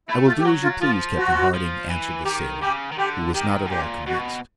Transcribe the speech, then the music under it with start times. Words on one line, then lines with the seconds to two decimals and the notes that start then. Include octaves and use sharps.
"I will do as you please, Captain Harding," answered the sailor, who was not at all convinced.
0.09 A3 E4
0.27 F4
0.38 G4
0.45 F#3 F#4
0.63 F4
0.81 F3 F4
1.18 F#4
1.54 F3
1.90 E3
2.25 D#3 G4
2.62 C#3 G4
2.92 D#3
2.98 D3 G4
3.34 D#3 G4
3.66 B2
3.70 A#2 G4
4.07 B2 F#4